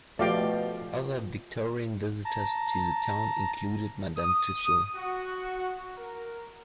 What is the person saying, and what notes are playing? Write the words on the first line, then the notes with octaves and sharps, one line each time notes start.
Other Victorian visitors to the town included Madame Tussaud.
B2 F3 A3 G4 D5 F5 G5
A5 A#5
D#6
F#4
A#4